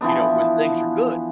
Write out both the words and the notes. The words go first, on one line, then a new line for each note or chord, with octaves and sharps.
you know, when things are good,
E3 F3 B3 D4